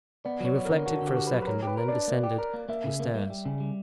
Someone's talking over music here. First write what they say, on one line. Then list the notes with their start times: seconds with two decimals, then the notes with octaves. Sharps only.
He reflected for a second and then descended the stairs.
0.25 B3 D5
0.40 F#3 C#5
0.56 B3
0.65 A#4
0.71 D3
0.86 D3 F#4
0.96 F#4
1.02 D3
1.07 G4
1.17 F#4
1.27 B4
1.32 F#3
1.42 B4
1.47 A#4 C#5
1.63 G4 B4
1.77 A#4
1.88 D4 D5
2.08 A#3
2.23 G4
2.38 A#4
2.54 A#3
2.69 A#3 E5
2.84 C#3
3.00 A#3
3.15 G3
3.30 G3
3.46 C#3
3.60 G3